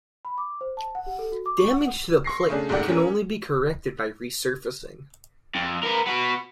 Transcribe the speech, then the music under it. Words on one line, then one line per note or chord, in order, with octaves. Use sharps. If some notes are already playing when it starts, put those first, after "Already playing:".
Damage to the plate can only be corrected by resurfacing.
B5
D6
C5
A5
F#5
G4
A4
F#4
D6
C#6
F#5
C6 C#6 A#6 C7
C#3 A3 C#4 D4
F#1 G#2 A3 G4 D5 F#5
C#4 A#4
F2
B3 A#4
B3 F#4